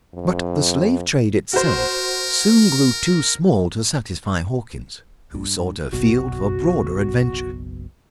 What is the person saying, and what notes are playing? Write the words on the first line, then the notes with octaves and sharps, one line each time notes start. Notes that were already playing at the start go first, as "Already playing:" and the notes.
But the slave trade itself soon grew too small to satisfy Hawkins, who sought a field for broader adventures.
F2
F#4 A#4 C5
G2
F#1 B1 B2 F#4